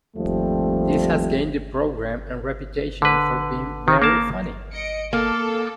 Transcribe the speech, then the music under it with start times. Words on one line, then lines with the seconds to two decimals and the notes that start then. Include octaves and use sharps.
This has gained the programme a reputation for being very funny.
0.16 D#2 F3 G3 A3 C4
3.02 D3 B4
3.88 D#3
4.02 A#3 A#4 A5
4.72 D#5 C#7 D7
5.13 A#3 A4